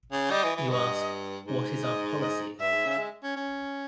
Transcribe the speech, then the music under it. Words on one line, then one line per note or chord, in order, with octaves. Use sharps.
You ask, what is our policy?
C#3
G3 D#5
E3
E3
G2 D#5
G#2
D#5
D#5
G2 E5
G#2
C#3
G#3
C#4
C#4